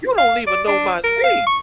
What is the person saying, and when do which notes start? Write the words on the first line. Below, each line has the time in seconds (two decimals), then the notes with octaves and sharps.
You don't even know my name."
0.18 F5
0.47 D5
0.67 D4
1.04 A#4
1.24 F5
1.46 C#6